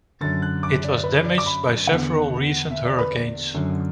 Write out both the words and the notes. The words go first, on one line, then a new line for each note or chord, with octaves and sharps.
It was damaged by several recent hurricanes.
F#2 D3 A6
F#6
D6
D5
B4
D5
D6
B5
E2 D3 F#5
E5
D5
B4
D5
F#2 D3